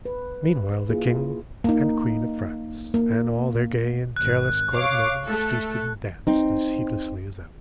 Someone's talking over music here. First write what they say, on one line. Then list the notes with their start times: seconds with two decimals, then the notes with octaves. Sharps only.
Meanwhile the king and queen of France and all their gay and careless court of nobles feasted and danced as heedlessly as ever.
0.05 B4
0.90 A#3 E4 F4 G#4
1.64 A#3 D#4
2.94 A#3
4.16 G#1 F#6
4.74 C#5 F5 D6
5.25 A3 A4
6.27 C4 D#4